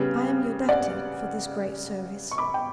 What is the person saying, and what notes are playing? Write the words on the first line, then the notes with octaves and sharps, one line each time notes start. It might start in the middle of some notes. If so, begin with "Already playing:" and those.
'I am your debtor for this great service.'
Already playing: C#3 G3 B3
D5 F#5
C#6
B5 D6
G5